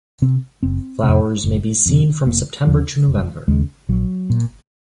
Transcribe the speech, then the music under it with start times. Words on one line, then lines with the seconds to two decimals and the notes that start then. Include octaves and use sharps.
Flowers may be seen from September to November.
0.22 C3 C4
0.63 F#1 C4
1.04 F2 C3
1.44 F#1
1.86 F2 C3
2.26 F1 A#3
2.67 D#2 C#3 F3
3.08 F1
3.48 D#2 C#3 G#3
3.89 A#1 F#3
4.30 A#2